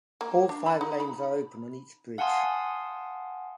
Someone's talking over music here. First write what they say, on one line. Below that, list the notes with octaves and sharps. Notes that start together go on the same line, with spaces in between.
All five lanes are open on each bridge.
A#3
D4
B5
D#4
B5
F5 F#5 G#5 A5 C6 D#6